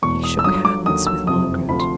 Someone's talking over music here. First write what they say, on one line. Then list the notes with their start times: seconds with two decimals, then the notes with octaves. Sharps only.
He shook hands with Margaret.
0.02 E1 E2 B2 C#6
0.23 D#6
0.39 E6
0.44 G1 G2 D3 F#3 D#6
0.65 D6
0.86 D#2 D3 F#3 D#6
1.07 E6
1.27 F#1 F2 C3 D#6
1.69 D2 C3 F3 B5
1.80 C6